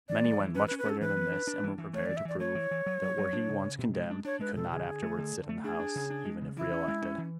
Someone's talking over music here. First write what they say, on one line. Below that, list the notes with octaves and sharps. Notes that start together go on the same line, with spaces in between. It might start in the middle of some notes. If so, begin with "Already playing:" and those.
Many went much further than this, and were prepared to prove that were he once condemned he could not afterwards sit in the House, even if re-elected.
E3 D5
G#3
E3
C#4 B4
B4
C#4
B4
C#4 A4
E3 B4
B3
D4
D4
E3
E3
A3 C#5
D5
E3
E5
E3 D5
A3 C#5
E3
E3
F#3
F#3
F#3
D4
C#3
C#3
B2
G#3
D4
D4 C#5
G#3 B4
B2 A4
D3 G#4
D3
A3
D3
D3
A3
D4 G#4
D4
C#3
D4
G#3
C#3
E3 E4
C#4
G#3
C#4
E3